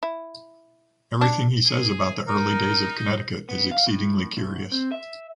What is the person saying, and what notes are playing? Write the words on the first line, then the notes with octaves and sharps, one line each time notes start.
Everything he says about the early days of Connecticut is exceedingly curious.
E4
D4
G#4
D#4 A#4
B3
F5
A2
D2
C4
E5